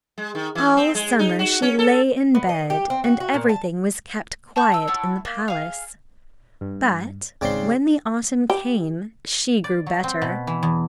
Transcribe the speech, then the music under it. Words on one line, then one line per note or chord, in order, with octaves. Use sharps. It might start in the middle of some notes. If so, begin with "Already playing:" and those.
All summer she lay in bed, and everything was kept quiet in the palace; but when the autumn came she grew better.
G#3
D#3
E3
C4
G#3
D#4
F#4
C#4
A4
B3
D#5
G4
C4
F#4
F#4
A#2
A5
A5 C#6 F#6 G6
A#5 E6
E4 A4 C#5 F#5
A#3
G#4 F5
G2
G#1 G#2 C#3 C4 D5 C6
G4
D5
F#3
C4
B2
E3
E2